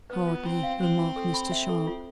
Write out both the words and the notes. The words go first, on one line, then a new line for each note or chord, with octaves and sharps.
"Hardly," remarked Mr. Sharp.
B3 B4
F4
C4 F4
F5
C4 C5
F4
A4
B5
E5
A4
F4